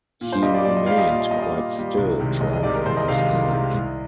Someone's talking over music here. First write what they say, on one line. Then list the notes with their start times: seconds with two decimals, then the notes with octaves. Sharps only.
He remained quite still, trying to understand.
0.21 A#2
0.32 C5
0.42 G3 A#3 D#5
0.54 D5
0.64 A#2 D5
0.76 D#5
0.86 G3 A#3 F5
0.98 D#5
1.08 A#2 F5
1.21 D#5
1.31 G3 A#3 D#5
1.42 D#5
1.54 A#2
1.75 G3 A#3
1.98 C2
2.19 C3 D#3 G#3
2.41 C2 D#5
2.53 D#5
2.63 C3 D#3 G#3 D5
2.74 A#4
2.86 C2 C5
2.97 D#5
3.08 C3 D#3 G#3 F5
3.18 D#5
3.30 C2
3.52 C3 D#3 G#3
3.74 C2